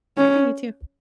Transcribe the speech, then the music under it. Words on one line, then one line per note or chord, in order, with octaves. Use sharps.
Yeah, you too.
C#4